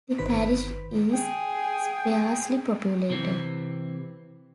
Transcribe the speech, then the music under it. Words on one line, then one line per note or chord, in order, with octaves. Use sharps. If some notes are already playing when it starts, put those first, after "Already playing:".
The parish is sparsely populated.
G1 D#3 B4 C5 B6
G#4 G5
C3 E3 C4